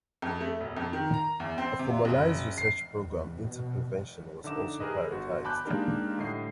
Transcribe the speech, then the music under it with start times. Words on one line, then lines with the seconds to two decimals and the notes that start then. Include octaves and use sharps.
A formalized research program into prevention was also prioritized.
0.22 F2
0.41 A3
0.60 E1
0.77 F2
0.93 D#3
1.14 A#5
1.40 E2
1.58 C4
1.79 C3
2.05 F#1
2.58 C7
3.03 E2
3.37 B2
4.44 D3 D#4 E5 D6 E7
4.80 G4 G#4 A#4 B4 D#5
5.11 G1 F#4
5.44 G#5 A5 B5 D6 F#6 G6
5.65 G#3 A#3 D4 D#4 G4 A#4
6.18 A2 D3 G3 D#5 C7